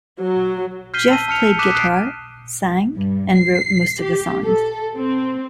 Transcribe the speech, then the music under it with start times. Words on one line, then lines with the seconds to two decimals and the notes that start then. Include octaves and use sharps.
Geoff played guitar, sang, and wrote most of the songs.
0.20 F#3
0.94 F6 G6 B6 C7 D#7 G7
1.11 A5 E6 D#7
1.28 A5 F6 C#7 F7
1.46 F6
1.59 D6 D#6 F#6 B6 D#7 E7
1.74 D#6 F#6 C7 D7
2.97 G2
3.36 C7
4.02 G4
4.44 A4
4.96 C4